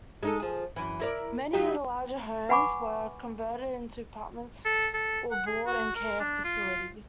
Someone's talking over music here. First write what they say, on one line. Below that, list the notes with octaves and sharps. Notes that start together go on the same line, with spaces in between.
Many of the larger homes were converted into apartments or board and care facilities.
G#3 D#4 A4
F3 G#4
F#2 E3
E4 A#4 D5
F#3 D#4 G4
B4 F#5 G#5 B5 C#6 D6
A4
A4
F#5
G#4
F#4
A#4
D4
F4